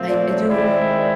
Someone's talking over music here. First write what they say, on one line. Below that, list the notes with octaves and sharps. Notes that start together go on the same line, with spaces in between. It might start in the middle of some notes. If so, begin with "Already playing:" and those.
I I do
Already playing: A#2 F3 A3 C4 F4
D5
C#5
D#3 G#3 C4 E4 D5